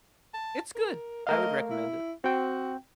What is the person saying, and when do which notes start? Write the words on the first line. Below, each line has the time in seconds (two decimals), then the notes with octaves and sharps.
It's good, I would recommend it.
0.34 A5
0.75 A#4
1.27 A3 A#4 D#5 F5
1.70 E4
2.24 C4 F#4 G5